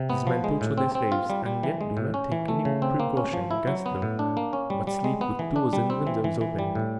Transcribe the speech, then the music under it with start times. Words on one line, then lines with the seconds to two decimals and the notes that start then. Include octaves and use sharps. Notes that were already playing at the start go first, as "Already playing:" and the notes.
These men torture their slaves, and yet do not take any precaution against them, but sleep with doors and windows open.
Already playing: C3
0.10 B3
0.27 F3
0.44 G#3
0.61 A2
0.78 C4
0.95 C4
1.12 F4
1.30 G3
1.46 G3
1.63 E3
1.81 G#3
1.97 A2
2.14 C#4
2.32 E3
2.48 A3
2.65 C#3
2.82 C4
3.00 A#3
3.17 C#4
3.33 F3
3.51 E4
3.67 F#3
3.86 B3
4.02 A2
4.19 D4
4.37 A#3
4.53 C#4
4.70 G3
4.87 G3
5.04 G#3
5.21 B3
5.39 E3
5.56 D4
5.73 G3
5.90 C4
6.07 E3
6.24 E3
6.41 E3
6.59 G3
6.75 A2